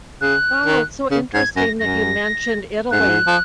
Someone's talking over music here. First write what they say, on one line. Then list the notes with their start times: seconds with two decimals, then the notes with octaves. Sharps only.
Wow, it's so interesting that you mentioned Italy
0.21 C#3 F#6
0.66 D#3
1.11 C#3
1.34 G#2 G#6
1.56 F#2 A#6
1.79 F#2 A#6
2.91 G#2 F#6
3.00 F#2
3.09 G#2
3.27 F3